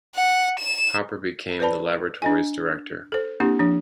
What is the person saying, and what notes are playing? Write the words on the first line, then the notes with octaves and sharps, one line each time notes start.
Hopper became the laboratory's Director.
F#5
E7
B4 C5 D5 A5 B5
D4 D#5 G#5
A4 C5
A#3 C4 D4 E4 G4
F3 D4